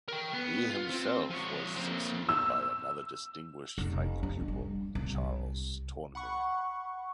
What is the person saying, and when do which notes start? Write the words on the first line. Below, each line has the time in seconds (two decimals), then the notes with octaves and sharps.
He himself was succeeded by another distinguished Franck pupil, Charles Tournemire.
0.08 A#4 G5
0.34 B3
0.70 F4
0.90 C4
1.30 F3 C#5
1.76 A#3 C4
2.29 E6
3.78 F1
4.23 D4
4.48 G3
4.95 C2
6.15 F#5 B5 C#6